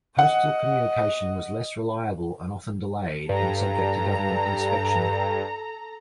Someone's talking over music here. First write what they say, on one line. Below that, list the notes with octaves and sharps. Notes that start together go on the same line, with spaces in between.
Postal communications was less reliable and often delayed and subject to government inspection.
D#5 F#5
G2 A4 A#5